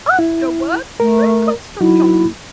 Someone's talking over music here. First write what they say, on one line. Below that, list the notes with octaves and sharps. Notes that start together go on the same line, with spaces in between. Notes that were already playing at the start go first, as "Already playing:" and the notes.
Afterwards - reconstruction.
E4
A3 A#4
F#3 D#4 E4 F#4